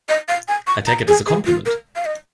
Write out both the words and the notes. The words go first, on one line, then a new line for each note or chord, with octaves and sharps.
I take it as a compliment.
D#5
F5
G#5
C#6
A#5
G#4
G#4
F4
A#4
F5
D#5